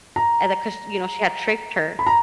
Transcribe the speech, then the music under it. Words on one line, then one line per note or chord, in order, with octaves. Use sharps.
and then 'cause, you know, she had tricked her.
A#5
B5
A#5